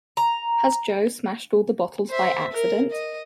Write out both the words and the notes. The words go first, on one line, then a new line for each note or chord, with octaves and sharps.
Has Jo smashed all the bottles by accident?
A#5
C5 E5
A#4
D#5